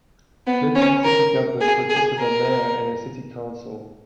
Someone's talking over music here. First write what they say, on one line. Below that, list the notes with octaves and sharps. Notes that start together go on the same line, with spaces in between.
Clinton city government consists of a mayor and a city council.
B3
C#4
A#4
G#4
G#4
A#4